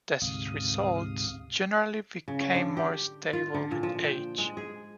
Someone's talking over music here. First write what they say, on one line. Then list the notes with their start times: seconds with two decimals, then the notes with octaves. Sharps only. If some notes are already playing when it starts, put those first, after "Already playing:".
Test results generally became more stable with age.
0.22 D2 G#2 C3 F5 D#6
2.28 C#3
2.41 C#5
2.55 D3
2.77 G4
3.33 F4
3.54 D3
3.71 A#2
3.83 F3
4.03 G5
4.38 G#3
4.57 G#4